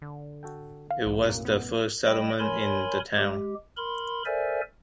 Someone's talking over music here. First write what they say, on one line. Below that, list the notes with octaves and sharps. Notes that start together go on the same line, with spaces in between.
It was the first settlement in the town.
D3
F#4 A4 G5
F5
B1 E3
B1 F#2 A2 A#3
B3
G3 D#5 G5 B5
A#4 C#5 G#5 B5 C6
G#3 G4
A#4 B5 C6
A4 A#4 C5 D5 E5 G#5